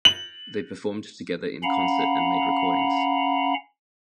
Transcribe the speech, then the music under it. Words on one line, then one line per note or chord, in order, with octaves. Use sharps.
They performed together in concert and made recordings.
F#7
C#4 F5 F#5 A#5 B5